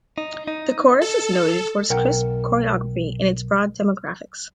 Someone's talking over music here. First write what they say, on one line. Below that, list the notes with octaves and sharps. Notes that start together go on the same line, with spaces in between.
The chorus is noted for its crisp choreography and its broad demographics.
D#4
D#4
A4
B1 A#4 F#5 G5